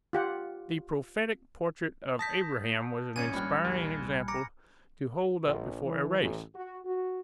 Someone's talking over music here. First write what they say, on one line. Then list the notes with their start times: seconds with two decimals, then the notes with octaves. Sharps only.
The prophetic portrait of Abraham was an inspiring example to hold up before a race.
0.13 F4 G4 F#5
2.19 A5 D#6 G6 A#6 B6
3.16 G#1 C#4 G#5 G#6 C#7 D#7
3.34 A#1 G3 B5 F6 F#6
3.65 D#2
4.28 A#5 D6 A#6 C#7
5.45 A#1
5.84 E3
6.18 A1
6.53 F#4
6.85 F#4